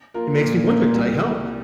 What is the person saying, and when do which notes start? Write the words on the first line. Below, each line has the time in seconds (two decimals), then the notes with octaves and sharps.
It makes me wonder, "Did I help?"
0.14 A#3 F4 A#4
0.41 A#2
0.67 A#3 F4 A#4
0.94 C2
1.21 C3 G3